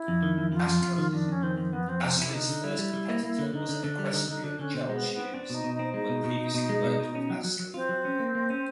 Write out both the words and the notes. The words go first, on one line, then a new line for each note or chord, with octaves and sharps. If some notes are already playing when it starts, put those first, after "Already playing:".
Astley's first competitor was equestrian Charles Hughes, who had previously worked with Astley.
Already playing: E4
F2
D#3
F2
F2 F4
F2
F2
D#3
F2 D4
F2 C#4
D#3 C4
F2
F2 B3
F2 C4
C3 C4
C3 E4
D3 D#4
D3
G3 E4
G3
G3
A#3
A#3
D3
D3 D#4
D3
D3 D4
G3
D3 D#4
D3 D#4
D3 D4
D3 C#4
B2 C4
G#3
B3
C4
B3
C4
C4 D4
B2 D#4
B2
D#4
C4
G#3 D#4
B2
B2
B2
B2
G#3
B2
B2
C#4
F#3
F#3
F#3
C4 F4
F#3
C#4
A#3
A#3
C#4